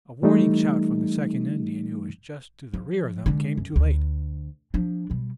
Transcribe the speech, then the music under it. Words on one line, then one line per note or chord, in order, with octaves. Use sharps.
A warning shout from the second Indian, who was just to the rear of them, came too late.
E3 G3 A3 D#4
F3
D3 G#3
F#2
D2
F3 D4
B2 G3